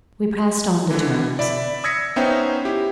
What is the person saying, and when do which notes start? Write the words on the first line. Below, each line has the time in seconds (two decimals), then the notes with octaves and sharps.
We passed on to terms.
0.90 D3 E3
1.39 D5 E5 B5
1.84 D#6 E6 G#6 A#6 B6 C#7
2.16 B3 C#4 D#4 C5 E5 G5
2.65 E4 G4